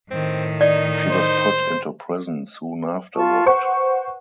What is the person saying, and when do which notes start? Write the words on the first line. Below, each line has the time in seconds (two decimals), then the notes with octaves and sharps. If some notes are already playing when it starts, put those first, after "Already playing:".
She was put into prison soon afterward.
0.11 A2 D#3 C4
0.61 D#4 D5
1.11 C5
3.15 F4 A5 C#6
3.46 B4 C5 F#5 C#6